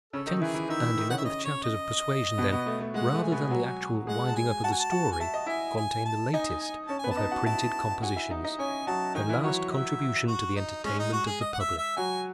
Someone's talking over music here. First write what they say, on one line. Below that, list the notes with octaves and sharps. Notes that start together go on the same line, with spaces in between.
The tenth and eleventh chapters of 'Persuasion' then, rather than the actual winding-up of the story, contain the latest of her printed compositions, her last contribution to the entertainment of the public.
C#3 C#4 A4
D#3 D#4
E3 E4 G#4
E3 E4
D#3 D#4 E5
E3 E4
D#3 D#4
C#3 C#4 F#5
E5
D#5
C#5
D#5
B2 B3
B2 B3
A3
A3
G#3 F#5
A3
G#5
B2 B3
F#3 F#4
G#3 G#4 F#5
A5
G#5
F#4 F#5 A5
G#5
A5
F#4 F#5
G#5
E5 A5
D#5
E4 E5 G#5
G#5
A5
D#4 D#5 G#5
G#5
G#5
C#4 C#5 A5
B3 B4 G#5
A5
D#4 D#5
F#4 F#5
E4 E5 A5
F#4 F#5 G#5
E4 E5
D#4 D#5
D#4 D#5
C#4 C#5 G#5
F#3 F#4 A5
D#3 D#4 G#5
E3 E4
D#5
F#3 F#4 C#5
E5
F#4
D#4
G#3 C#4 G#4
D#4
F#4
G#4
D#5
F#5
E5
E5
F#3 F#4 G#5